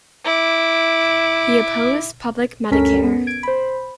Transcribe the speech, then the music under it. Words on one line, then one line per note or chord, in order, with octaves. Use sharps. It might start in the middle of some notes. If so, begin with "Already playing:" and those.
He opposed public medicare.
E4 D6
D2 G2 C#4 A4 A#4 B6
B3
G#6 D7
C5 B5